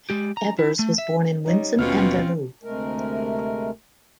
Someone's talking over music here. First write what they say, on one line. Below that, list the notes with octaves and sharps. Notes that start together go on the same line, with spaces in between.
Evers was born in Winsen an der Luhe.
G#3 G4
A#5
E4
A3
E5
G3 D#4 C#5 D#5
D#1 B2 C4 C#4 F4 F6
D2 C3 G#3 A3 A#4